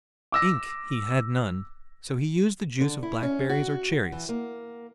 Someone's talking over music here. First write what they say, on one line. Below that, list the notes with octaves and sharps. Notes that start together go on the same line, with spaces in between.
Ink he had none, so he used the juice of blackberries or cherries.
D6 E6 A#6
D3
E4
C#4
F#4
E3
A#3